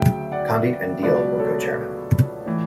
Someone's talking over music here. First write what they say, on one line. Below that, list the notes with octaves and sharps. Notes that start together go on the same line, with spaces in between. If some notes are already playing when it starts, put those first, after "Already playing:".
Condit and Deal were co-chairmen.
Already playing: D2 C#3 F#3 E5 G5
D5 F#5
C#2 B2 F#3 B4 D5
A4 C#5
A2 E3